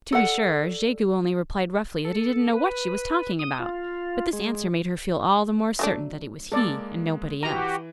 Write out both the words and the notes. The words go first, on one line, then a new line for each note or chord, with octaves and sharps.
To be sure, Jegu only replied roughly that he didn't know what she was talking about, but this answer made her feel all the more certain that it was he and nobody else.
A4 D5 F#5
A4
B4
D#6
F4
G#3
F#3 A3 D4
G#3 A#3 A4 D5
E3 F#4 G4 A#5 D#7